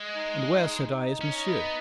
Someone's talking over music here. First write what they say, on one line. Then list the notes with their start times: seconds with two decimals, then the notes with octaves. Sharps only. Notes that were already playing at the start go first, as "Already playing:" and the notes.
"And where," said I, "is monsieur?"
Already playing: G#3 D#5
0.15 D#4
0.56 D#4
0.94 D#4
1.21 C#4
1.34 D#5
1.48 B3